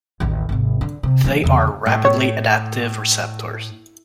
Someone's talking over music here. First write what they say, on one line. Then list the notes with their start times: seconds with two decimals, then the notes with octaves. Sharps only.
They are rapidly adaptive receptors.
0.20 A1 D#2
0.49 G#1 C3
0.81 D3
1.03 C3
1.24 E3 A#3
1.44 E2 C#3
1.86 A2
2.05 C#5